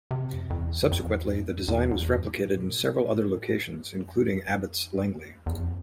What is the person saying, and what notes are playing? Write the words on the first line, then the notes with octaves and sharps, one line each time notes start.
Subsequently, the design was replicated in several other locations, including Abbots Langley.
C3
F2
F2
E2
F2
F2
E2
F2
E2
E2
E2
G2
A2
B2
A2
G2
F2
E2
E2
F2